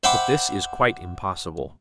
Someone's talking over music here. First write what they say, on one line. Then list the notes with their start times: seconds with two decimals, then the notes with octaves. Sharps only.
But this is quite impossible.
0.04 C5 E5 F#5 G5 B5 D6